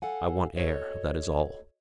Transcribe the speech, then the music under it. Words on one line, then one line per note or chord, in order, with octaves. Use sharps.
"I want air, that is all."
A4 F5 F#5 G#5
F#4 A4 A#4 C#5 D#5